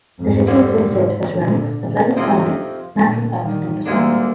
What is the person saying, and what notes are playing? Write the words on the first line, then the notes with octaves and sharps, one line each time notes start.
The city is visited for ceramics, a pleasant climate, natural parks and gastronomy.
F2 G#2
F2 D3 G3
G#2 C3
A#2 D3
F2 C3 F3 C4 D#4
A#2 D3
D#3 G3
D2 D3 G3 G#3 A#3 D4